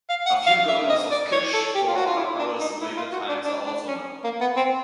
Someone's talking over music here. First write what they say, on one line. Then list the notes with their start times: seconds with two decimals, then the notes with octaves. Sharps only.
A few governors of Kish for other powers in later times are also known.
0.09 F5
0.26 F#5
0.47 F5
0.68 E5
0.89 D#5
1.11 D5
1.32 C#5
1.53 A4
1.75 G4
1.87 F4
1.95 F#4
2.06 F4
2.17 E4
2.39 D4
2.60 D#4
2.81 E4
2.97 F4
3.12 F#4
3.29 D4
3.44 D4
3.66 D4
3.87 C#4
4.24 A#3
4.40 B3
4.56 C4